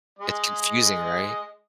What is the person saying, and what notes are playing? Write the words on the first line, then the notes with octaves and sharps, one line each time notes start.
It's confusing, right?
G#3 D#5